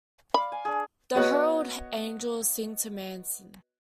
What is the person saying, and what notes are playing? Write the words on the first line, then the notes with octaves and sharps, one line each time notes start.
The Herald Angels Sing to Manson.
D5 F5 B5
G#5
D4 G#4
B3 F#4 C#5 D#5 F#6